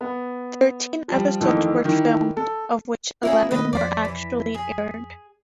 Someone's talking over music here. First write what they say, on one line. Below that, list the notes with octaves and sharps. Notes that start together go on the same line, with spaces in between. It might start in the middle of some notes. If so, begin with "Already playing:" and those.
Thirteen episodes were filmed, of which eleven were actually aired.
B3
F3 G3
F2 D#3 E3 A3
D#3 E3
A4
A#3 C#4 E4 F4 G#4 E5
D#3 A3 A#3 B4 D#5
F2 C5 D5 B6
E3
G#4